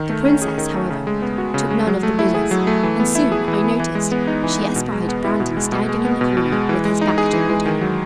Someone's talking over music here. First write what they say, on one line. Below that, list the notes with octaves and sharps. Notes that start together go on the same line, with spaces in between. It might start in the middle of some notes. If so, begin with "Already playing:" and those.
The princess, however, took none of the bidders, and soon, I noticed, she espied Brandon standing in the corner with his back toward her.
Already playing: D#3
A3
C#4
G#4
D#3
A3
C#3
G#3
B3
F#4
C#3
G#3
F#3
A3
E4
G#4
F#3
A3
E3
B3
E4
G#4
E3
B3
E3
G#3
B3
D#4
E3
G#3
B2
G#3
B3
E4
B2
G#3
B2
G#3
B3
B2
B2
G#3
E3
G#3
D#4
G#4
E3
G#3
D#3
F#3